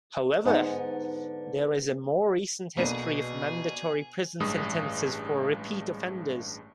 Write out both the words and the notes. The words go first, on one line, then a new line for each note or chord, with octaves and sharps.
However, there is a more recent history of mandatory prison sentences for repeat offenders.
G#2 D3 B3 D#4
B1 B2 A#3 B3 D4 G#4 D#7
A1 G2 G#3 D#6